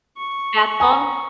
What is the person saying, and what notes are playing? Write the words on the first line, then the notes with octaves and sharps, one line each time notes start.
Bath bombs.
C#6
G#5 A#5